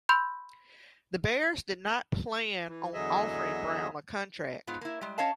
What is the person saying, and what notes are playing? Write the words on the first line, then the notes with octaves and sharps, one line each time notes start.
The Bears did not plan on offering Brown a contract.
B5 C6 E6 G6
E3
E2 D3 F#3 G#4 D#5 E5
G#2 B3 F4
A#3 E4
G3 G#3
C#4 C#5 D#5 F5 A5